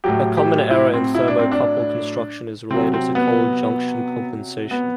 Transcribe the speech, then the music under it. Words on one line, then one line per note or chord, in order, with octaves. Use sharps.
A common error in thermocouple construction is related to cold junction compensation.
A2 F#3 G4
G4
E4
C4
E4
D4
C4
D4
C3 F#3 C4
C4
B3
B3